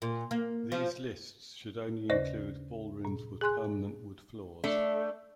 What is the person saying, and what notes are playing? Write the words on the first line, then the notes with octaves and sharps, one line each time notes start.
These lists should only include ballrooms with permanent wood floors.
A#2
A#3
F3
D#2 C#3 C5 D5 A#6
A#2
G#4 G#5 C6 F#6
A3 D4